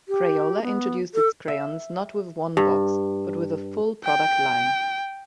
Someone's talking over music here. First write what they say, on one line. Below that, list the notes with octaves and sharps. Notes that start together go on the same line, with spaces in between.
Crayola introduced its crayons not with one box, but with a full product line.
G4
B3
A4
E5
G2
G5